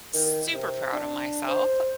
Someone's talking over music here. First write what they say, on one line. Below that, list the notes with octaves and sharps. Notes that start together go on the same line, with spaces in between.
super proud of myself,
D#3
C3
D4
C5